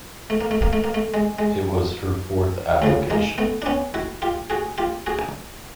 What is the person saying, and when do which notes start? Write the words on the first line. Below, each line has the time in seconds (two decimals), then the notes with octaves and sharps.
It was her fourth application.
0.30 A3
0.41 A#3
0.51 A3
0.62 A#3
0.73 A3
0.84 A#3
0.94 A3
1.14 G#3
1.39 G#3
2.82 D2 C#3 F3 A3
3.10 G#3 A#3
3.38 A3 B3
3.62 D4
3.66 B3 C#4
3.94 E4 F#4
4.22 F4 G4
4.50 F#4 G#4
4.78 F4 G4
5.06 F#4 G#4